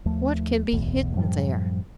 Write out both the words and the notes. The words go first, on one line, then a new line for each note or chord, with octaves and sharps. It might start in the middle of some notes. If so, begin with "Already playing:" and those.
What can be hidden there?
D#2 F3 A3
D1 B1 E2 B2
F#2 A2 F3 G3